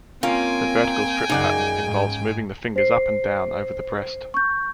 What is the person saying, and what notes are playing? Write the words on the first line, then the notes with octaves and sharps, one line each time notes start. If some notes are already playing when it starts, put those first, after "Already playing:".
The vertical strip pattern involves moving the fingers up and down over the breast.
A#3 C4 C#4 F4 G5 G#5
F#2 C#3 D#4 D5 F#5
G#2
C5 C7
C#6 G6